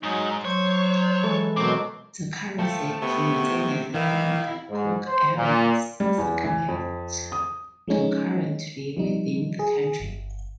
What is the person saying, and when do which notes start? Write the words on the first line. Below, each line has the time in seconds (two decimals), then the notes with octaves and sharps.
The currency of New Zealand and the Cook Islands circulate concurrently within the country.
0.03 G#2 F#3 D#4
0.45 F#3 C5 C#5
1.23 E3 G#3 A4
1.57 B2 D#3 F#3 C4 D6
2.59 F3 A3 G5 A5
3.02 C3 B3 C#6
3.94 D#3 E3 E4 F5
4.70 G#2
5.07 C5
5.36 A#2
6.00 G3
6.18 E2
6.44 E3
6.69 F2
7.32 D#6
7.87 F3 G#3 A3 C#4 D#4
8.97 F3 G3 D#4
9.59 G#4
10.00 G1